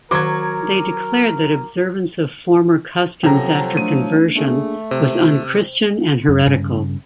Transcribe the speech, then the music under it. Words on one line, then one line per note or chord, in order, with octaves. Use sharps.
They declared that observance of former customs after conversion was un-Christian and heretical.
D#3 F#3 A#4 D6 G#6
C3 F3 F#3 A4 G5 A#5
A3 D4 D#7
A3 A#3 D4 G#4
C3 C5
F#2
G2 C#3